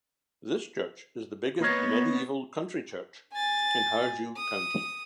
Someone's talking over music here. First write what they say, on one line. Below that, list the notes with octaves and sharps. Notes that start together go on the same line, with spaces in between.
This church is the biggest medieval country church in Harju county.
A#3 B3 D#4 C#5
G#5 A6
D#6